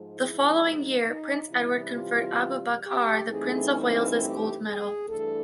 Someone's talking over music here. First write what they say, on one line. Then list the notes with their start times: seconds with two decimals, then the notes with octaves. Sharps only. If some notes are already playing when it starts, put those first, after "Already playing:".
The following year, Prince Edward conferred Abu Bakar the Prince of Wales's Gold medal.
Already playing: G#2 F3 G#3
0.14 E4
0.60 D#4
1.05 D#4
1.50 C3 E3 G3 E4
1.94 F4
2.84 G4
3.29 G2 E3 A3 C4 D#4 G#4
4.19 G4
4.64 G#4
5.09 G2 E3 A3 D4 A4